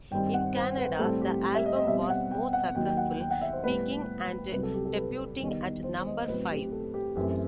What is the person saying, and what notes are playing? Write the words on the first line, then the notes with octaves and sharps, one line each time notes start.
In Canada, the album was more successful, peaking and debuting at number five.
G2 D#3 G3 C4 G5
F#5
C5
B4
A2 G3 C4 A4
G4
G4
E5
D#5
D#5
B2 G3 C4 E5
F#5
G5
F#5
D#2 D#3 F#3 G5
G5
F#5
G5
F#5
E5
C5
A2 G3 B3 B4
C2 C3 F#3 B4
A4
G4
A4
B4
E2 D#3 G3 B3
C5
D#5
A2 F#3 C4 B4
G4
A4
G4
F#2 E3 A3 C4 G4